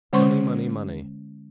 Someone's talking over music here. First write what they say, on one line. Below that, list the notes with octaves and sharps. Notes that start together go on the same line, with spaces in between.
"Money, money, money!"
D3 G#3 C#4 C5 C6 C#6